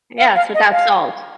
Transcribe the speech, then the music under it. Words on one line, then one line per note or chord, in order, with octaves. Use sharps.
Yes, without salt.
F5
F5
D#5
F5